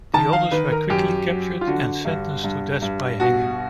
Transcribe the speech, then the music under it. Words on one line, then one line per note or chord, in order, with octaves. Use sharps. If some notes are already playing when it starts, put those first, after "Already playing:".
The others were quickly recaptured and sentenced to death by hanging.
D#3 A5
F5
D#3 B4
A#4
F#2 G4
F#3
F4
D3 F#4
G2
G2
G2
B2 F#4